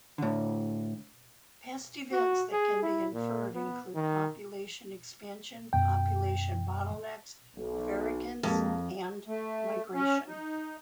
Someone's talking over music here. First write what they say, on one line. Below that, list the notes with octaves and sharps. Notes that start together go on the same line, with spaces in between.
Past events that can be inferred include population expansion, population bottlenecks, vicariance and migration.
A2 D3
F#4
G#4
E4
A#2
B3
D#3
F#2 B2 G5
B1
F2 G#3 A#3 G4
A3
C#4
D#4